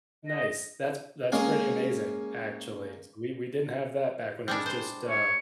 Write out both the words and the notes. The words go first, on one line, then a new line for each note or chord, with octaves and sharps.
Nice. That's that's pretty amazing, actually. We we didn't have that back when it was just, uh
D#5
G#3 A#3 C#4 G#4 G#5
G3 G#3 D4
C5
C#5